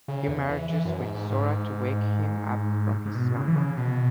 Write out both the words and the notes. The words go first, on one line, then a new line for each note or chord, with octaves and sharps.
He merges with Sora to wake him up from his slumber.
C#3
E2
E3
E3
F#2
G#2
G#2
G#2
G#2
B2
C#3
E3
C#3
B2